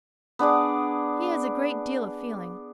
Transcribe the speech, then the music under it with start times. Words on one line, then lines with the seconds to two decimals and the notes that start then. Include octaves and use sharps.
He has a great deal of feeling.
0.39 B3 D4 G#4 D5